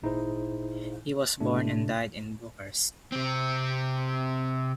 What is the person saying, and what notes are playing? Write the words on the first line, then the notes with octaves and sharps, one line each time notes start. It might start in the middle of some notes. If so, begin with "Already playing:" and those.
He was born and died in Bucharest.
G#1 A#2 D#4 E4 G#4 C5
A2 C3 A3 D4
C3 C4